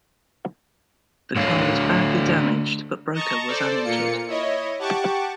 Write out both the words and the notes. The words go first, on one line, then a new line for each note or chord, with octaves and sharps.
The car was badly damaged, but Broker was uninjured.
D3 A3 C#5 F5
D#5 A5 A#5 C#6
A4 C5 D5
A#2 A#3 F4 C#7
E4 C#5 D#5
G4 F#5 A5 C#6 D6